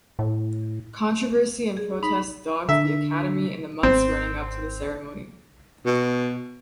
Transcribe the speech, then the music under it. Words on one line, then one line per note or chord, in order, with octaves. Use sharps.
Controversy and protests dogged the Academy in the months running up to the ceremony.
A2
G#4
D#4 B5
D3 E5
G#1 C4
B2